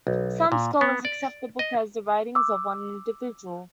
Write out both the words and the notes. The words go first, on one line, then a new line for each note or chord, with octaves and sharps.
Some scholars accept the book as the writings of one individual.
B1
A#2
B3
D5
D#5
D6 E6